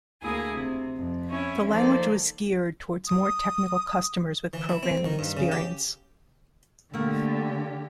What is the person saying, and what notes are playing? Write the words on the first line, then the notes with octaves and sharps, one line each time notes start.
The language was geared towards more technical customers with programming experience.
D2 A#3 E4 G#4 D#6
C3
F2
C#4 E4 C#5 G#5
D#3 F3 A#3 A4 C5 D5
D#6
E3
E4
C4
D#3
G2
C#3
G4
D3 A3 A#3 G4